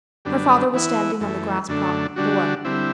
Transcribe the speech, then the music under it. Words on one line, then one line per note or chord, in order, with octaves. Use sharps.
Her father was standing on the grass-plot below.
F#2 D3 G3 B3 D4
E3 B3 E4
F#2 E3 A3
F#2 D3 A3 D4
D3 G3 D4 F#4
D3 G3 C4 E4